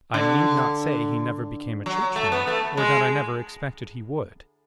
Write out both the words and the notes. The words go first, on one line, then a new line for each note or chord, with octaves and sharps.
I need not say he never became a churchman, or that I never expected he would.
D3
F#3
A3
B3
A3
G#3